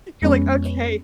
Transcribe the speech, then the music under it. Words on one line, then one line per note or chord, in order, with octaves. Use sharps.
You're like, "Okay,
F2 G#3 B3 C#4